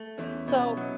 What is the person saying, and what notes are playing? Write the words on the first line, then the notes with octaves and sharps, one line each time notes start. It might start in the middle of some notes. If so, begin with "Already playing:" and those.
S so
Already playing: A3
E2 C#4 E4
B2 C#4 E4
F#3 B3 D#4